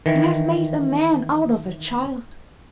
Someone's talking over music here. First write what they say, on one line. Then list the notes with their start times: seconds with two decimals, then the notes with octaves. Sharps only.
You have made a man out of a child.
0.06 D#3 E3